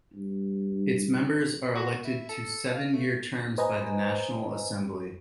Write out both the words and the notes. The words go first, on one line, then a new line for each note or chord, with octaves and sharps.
Its members are elected to seven-year terms by the National Assembly.
G2
F#4
E4
A4
F5
A3
B4 C5 D#5 G#5 A#5